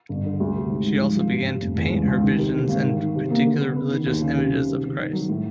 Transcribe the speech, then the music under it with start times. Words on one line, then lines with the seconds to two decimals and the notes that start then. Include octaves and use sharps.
She also began to paint her visions and particular religious images of Christ.
0.09 G1
0.25 D3
0.40 D2
0.55 C3
0.70 G#2
0.85 G#2
1.01 F3
1.17 F3
1.31 G2
1.47 G2
1.62 F1
1.78 E2
1.93 C#2
2.08 C#2
2.23 D#3
2.39 C3
2.54 D3
2.69 G#1
2.84 D#3
2.99 D#3
3.16 C3
3.31 A#3
3.45 D3
3.60 B3
3.76 B3
3.91 D#3
4.06 D#2
4.21 C#3
4.37 C3
4.53 D#3
4.68 C3
4.83 C3
4.99 D#3
5.13 F#3
5.29 A2